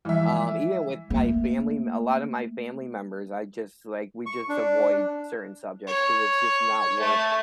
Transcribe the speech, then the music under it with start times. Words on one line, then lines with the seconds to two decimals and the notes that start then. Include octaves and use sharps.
um, even with my family m a lotta my family members, I just, like we just avoid certain subjects 'cause it's just not worth,
0.05 E3 F3 G3 G#3 E5
1.10 A3 A#3
4.26 C#6
4.49 D4
5.87 C#5
6.99 A3